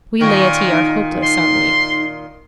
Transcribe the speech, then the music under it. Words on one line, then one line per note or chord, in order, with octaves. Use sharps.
'We laity are hopeless, aren't we?
A#2 D#3 A#4 C#6
D#4
C6